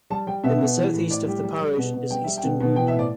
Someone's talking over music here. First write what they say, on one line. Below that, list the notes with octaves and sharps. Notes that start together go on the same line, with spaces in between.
In the south-east of the parish is Easton Wood.
G3 A5
G3 G5
B2 E5
B2
E3
A2
A2 D5
G3 G4
G3
G3
B2
B2
G3 G5
G3 E5
G5
B2
B2
E3 G5
E5
A2
D5